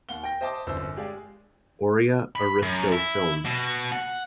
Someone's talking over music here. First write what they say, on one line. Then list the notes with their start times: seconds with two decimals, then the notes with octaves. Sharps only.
Aurea Aristo Film.
0.09 D#2 F5 F#5 G7
0.24 G5 A#6
0.41 C5 D#5 E5 A5 D6 D#6
0.67 G1 C2 F#2 C5 E6
0.97 G#3 G4 G#4 D5 F5
2.36 B5
2.62 F#2
2.92 E4
3.45 B2
3.92 F#5